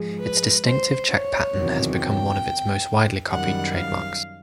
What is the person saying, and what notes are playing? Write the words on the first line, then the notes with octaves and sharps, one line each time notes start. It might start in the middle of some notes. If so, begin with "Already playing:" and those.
Its distinctive check pattern has become one of its most widely copied trademarks.
Already playing: G#2 F3 G#3
B4
C5
C#5
E2 C3 D#3 F#3
G5
F#2 D#3 G3 F#5
F5